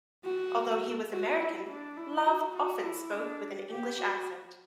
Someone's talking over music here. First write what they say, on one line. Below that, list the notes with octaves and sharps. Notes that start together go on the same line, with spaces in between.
Although he was American, Love often spoke with an English accent.
F#4
F#4
E4
D4
E4
F#4
F#4
E4
D4
G4
F#4